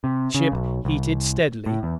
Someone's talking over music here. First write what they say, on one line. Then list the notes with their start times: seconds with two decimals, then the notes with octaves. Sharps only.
The ship heated steadily.
0.04 C3
0.35 C#3
0.52 B1
0.85 C2
1.66 A2
1.83 E2